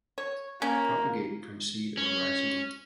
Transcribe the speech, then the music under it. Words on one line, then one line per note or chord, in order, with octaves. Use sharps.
Propagate from seed or rhizome.
C#5
A#3 C#4
C#4